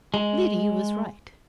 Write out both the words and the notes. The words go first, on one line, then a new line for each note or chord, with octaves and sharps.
Liddy was right.
G#3